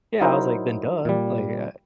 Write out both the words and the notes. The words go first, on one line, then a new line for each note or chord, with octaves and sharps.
Yeah. I was like, "Then duh. Like, uh,
F#3 D#4 E4 A#4 C5
A#2 G3